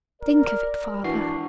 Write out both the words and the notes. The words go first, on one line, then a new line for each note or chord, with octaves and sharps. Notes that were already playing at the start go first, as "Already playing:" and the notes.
Think of it, father.
A#4 D5
E3 D4 F#4 C7